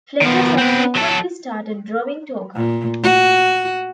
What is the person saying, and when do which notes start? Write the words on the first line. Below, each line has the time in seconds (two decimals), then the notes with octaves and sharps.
Fletcher subsequently started drawing Torkan.
0.22 D#3 F3 B3
0.58 C4 B4
0.95 F#3 A4
2.56 A#2
3.03 F#4